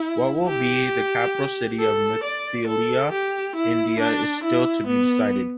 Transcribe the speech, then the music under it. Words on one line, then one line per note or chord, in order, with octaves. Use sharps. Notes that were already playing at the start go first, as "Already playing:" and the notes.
What will be the capital city of Mithila, India is still to be decided.
Already playing: E4
G4
A4
D5
A4
G4
E4
D4
E4
B3